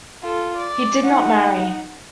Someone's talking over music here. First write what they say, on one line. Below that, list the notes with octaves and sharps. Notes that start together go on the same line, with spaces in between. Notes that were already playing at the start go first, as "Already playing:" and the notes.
He did not marry.
F4 A4
D5
D#4 F#5